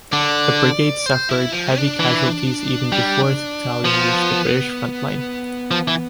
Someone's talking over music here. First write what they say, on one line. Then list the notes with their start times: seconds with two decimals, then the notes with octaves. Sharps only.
The brigade suffered heavy casualties even before its battalions reached the British front-line.
0.12 D3 D5
1.06 C5
1.29 E4
1.52 F3
1.76 D4
1.99 E3
2.92 G3
3.85 F3 B3
5.71 F3
5.88 E3